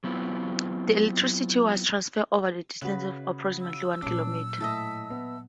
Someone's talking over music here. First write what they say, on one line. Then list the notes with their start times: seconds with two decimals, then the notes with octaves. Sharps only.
The electricity was transferred over a distance of approximately one kilometer.
0.04 F#3 B3 C4 E4 F4
2.82 C#3 F#4 B4
3.61 E6
4.02 A#2 F#3 C#4 D4
4.60 A2 D#5 E5 A5
5.10 B3